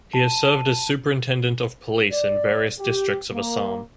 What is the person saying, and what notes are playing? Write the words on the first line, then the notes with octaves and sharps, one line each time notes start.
He has served as Superintendent of Police in various districts of Assam.
A5 D#7
D5
G4
A#3